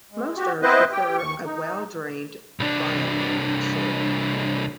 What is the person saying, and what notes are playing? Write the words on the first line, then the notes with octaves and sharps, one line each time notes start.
Most herbs prefer a well drained, friable soil.
G#3
F#4 G4
B3 C4 E4 B4 C5 D#5
G4 G5
D#2 C#6
D#4
C2 D4